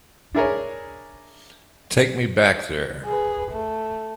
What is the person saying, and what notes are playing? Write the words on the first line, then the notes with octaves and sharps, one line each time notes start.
Take me back there.
D4 E4 G#4 A#4 C#5
G#4 B4
A3